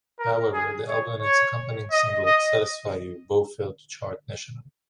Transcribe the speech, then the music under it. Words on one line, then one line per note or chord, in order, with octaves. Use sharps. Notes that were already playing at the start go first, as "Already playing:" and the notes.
However, the album and its accompanying single "Satisfy You" both failed to chart nationally.
A#4
G#4
C#5
C#5
D#5
D#5